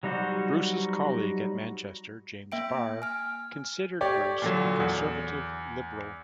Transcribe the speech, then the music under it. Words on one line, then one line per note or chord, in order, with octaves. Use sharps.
Bruce's colleague at Manchester, James Barr, considered Bruce a conservative liberal.
F#3 G3 D#4 F#4 C5
A#3 E5 G5 D7
G#5 F6
G4 C#5 D5
A#2 D3 F#3
E2